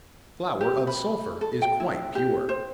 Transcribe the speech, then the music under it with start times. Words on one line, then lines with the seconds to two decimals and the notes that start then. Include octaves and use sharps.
Flower of sulphur is quite pure.
0.61 G4
0.87 B5
1.41 A4
1.62 G5
1.80 E4
2.15 G4
2.49 C5